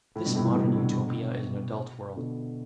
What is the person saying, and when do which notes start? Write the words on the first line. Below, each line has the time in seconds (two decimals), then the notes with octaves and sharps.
This modern Utopia is an adult world.
0.16 A2
0.25 G2 B2
0.35 A2 C3
0.45 E3 G3
0.55 B2 D3
0.75 B2 D3
2.16 B2 D3